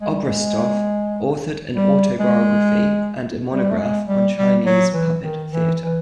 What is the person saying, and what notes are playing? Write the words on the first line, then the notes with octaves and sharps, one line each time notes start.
Obraztsov authored an autobiography and a monograph on Chinese puppet theatre.
G#3
G3
G#3
G3
G#3
G3
A3
G#3
G3
G3
F#3
E3
D#3
E3
E3